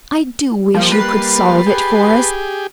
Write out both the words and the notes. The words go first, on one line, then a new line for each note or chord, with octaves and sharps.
I do wish you could solve it for us.
F3 G3 A#3
B4 A6 C7
G4 G#4